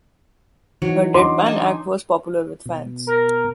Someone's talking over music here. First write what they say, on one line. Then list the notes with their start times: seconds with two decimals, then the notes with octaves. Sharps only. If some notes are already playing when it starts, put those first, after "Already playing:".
Her deadpan act was popular with fans.
0.82 E3 F#3 D#4
1.14 C#4 D4 D#5 C6 D6
1.46 D#4 G#5 A5
2.66 B2
3.07 A#4